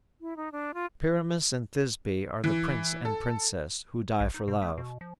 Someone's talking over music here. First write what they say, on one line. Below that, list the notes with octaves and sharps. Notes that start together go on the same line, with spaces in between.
Pyramus and Thisby are the prince and princess, who die for love.
E4
D#4
D4
F4
E3
A4
A#1
D#4
B2
A3
B2
F3